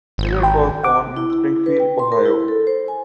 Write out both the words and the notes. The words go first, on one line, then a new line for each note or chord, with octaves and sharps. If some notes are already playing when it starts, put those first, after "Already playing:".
Pillard was born in Springfield, Ohio.
G#1
G5
F#5 D6
E4
E4
B4
G5
C6
A#4
E4
A4
C5
G#5